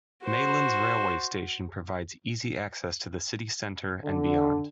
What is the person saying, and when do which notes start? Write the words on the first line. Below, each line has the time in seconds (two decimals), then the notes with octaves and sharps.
Maylands railway station provides easy access to the City centre and beyond.
0.25 F#4 C5
4.03 D3